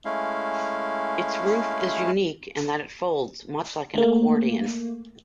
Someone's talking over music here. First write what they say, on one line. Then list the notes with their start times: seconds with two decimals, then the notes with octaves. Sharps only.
Its roof is unique in that it folds much like an accordion.
0.05 G#3 A3 C#4 E4 F5
3.95 A3 A#3